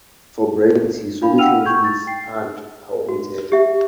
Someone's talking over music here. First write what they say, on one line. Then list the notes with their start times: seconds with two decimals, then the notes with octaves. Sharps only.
For brevity, solutions with and are omitted.
1.21 D4 D#4 F5 B5
1.38 F#5 G5 E6 F6 D#7 F7
1.65 C#6 G6 G#6
1.84 A6
2.07 G5 C7
3.09 F#4
3.52 G4 E5